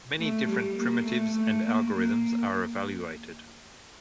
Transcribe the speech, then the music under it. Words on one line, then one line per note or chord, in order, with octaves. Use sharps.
Many different primitives and algorithms are evaluated.
A3
G3
A#3
A3
A3
A#3
A#3